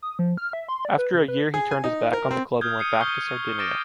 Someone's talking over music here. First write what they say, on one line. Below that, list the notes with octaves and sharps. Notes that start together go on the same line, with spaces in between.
After a year he turned his back on the club and went back to Sardinia.
D#6
F3
F6
E5
C6
D5
B4
C#3
B4
G#4
G#5
D#4
A#4
C4
D#6 F6 G6 G#6
D#6 C7 C#7 D#7
C#6 D#6 F6 G6 C7 G7
C#6 D6 A6 A#6 D7 E7